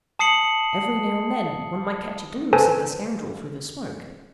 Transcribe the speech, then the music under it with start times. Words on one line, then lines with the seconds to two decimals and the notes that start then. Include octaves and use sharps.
Every now and then one might catch a glimpse of the scoundrel through the smoke.
0.19 A5 D#6 C7 C#7 F#7
2.53 A4 B4 C5 G#5 A5